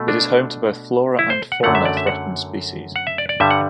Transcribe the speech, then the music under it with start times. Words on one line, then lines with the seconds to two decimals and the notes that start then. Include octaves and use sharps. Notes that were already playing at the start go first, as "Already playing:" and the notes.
It is home to both flora and fauna threatened species.
Already playing: B2 A3
0.08 D4
1.19 E4
1.30 C5
1.52 F#5
1.63 F#2 D3 F#3 A3 F#5
1.75 E5
1.85 D5
1.97 E5
2.07 F#5
2.96 F#5
3.07 E5
3.18 D5
3.29 D5
3.40 G2 D3 G3 E5
3.51 F#5